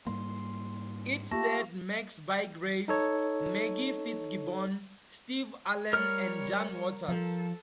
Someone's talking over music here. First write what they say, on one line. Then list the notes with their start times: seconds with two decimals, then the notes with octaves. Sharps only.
It starred Max Bygraves, Maggie Fitzgibbon, Steve Arlen and Jan Waters.
0.07 G#2 G3 A#3 C6
1.31 A3 A#3 F4 G4 A5 A#6
2.88 D#4 A4 C#5
5.93 G3 A#4 C#5 F6
7.08 F3 A4